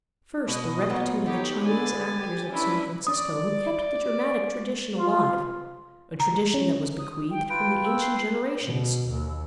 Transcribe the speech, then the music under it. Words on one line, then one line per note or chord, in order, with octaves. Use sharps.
First: the rectitude of the Chinese actors of San Francisco who kept the dramatic tradition alive, a tradition that was bequeathed from the ancient generations.
B2 D#5
A#2 F#3 B3
B3 D#4 G4 A4 C#5
D3 G#3 B4 G#5 A6
G4
C#4 D4 E4 B4
D5 D#6
F4
A#5
C#4
D#6
G5
F4 B4 G5 D7
E6
C7
B2
D#2